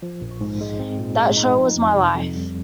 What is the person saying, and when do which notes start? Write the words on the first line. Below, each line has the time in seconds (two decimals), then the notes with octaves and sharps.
That show was my life.
0.03 F3
0.22 A#1
0.41 G#2
0.61 G#3
0.80 C4
0.99 A#2
1.18 G#3
1.37 D#4
1.56 F3
1.76 F2
1.95 C3
2.14 F2
2.34 G3